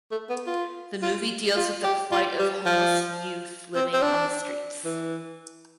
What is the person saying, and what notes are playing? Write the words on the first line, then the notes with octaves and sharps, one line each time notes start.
The movie deals with the plight of homeless youth living on the streets.
A3
B3
F4
F4
F4
G4
F4
G3
F3
C4
C4
D4
E3